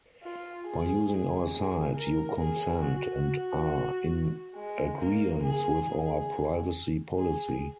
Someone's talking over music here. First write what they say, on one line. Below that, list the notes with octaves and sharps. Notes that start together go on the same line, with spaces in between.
By using our site, you consent and are in agreeance with our privacy policy.
F4
G#4
G#4
A#4
G#4
F#4
G#3
A#3
G#4
G#4
G#4